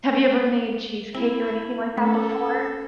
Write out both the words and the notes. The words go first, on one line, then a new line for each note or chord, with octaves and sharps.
Have you ever made cheesecake or anything like that before?
C4 E4
A3 C#4 A4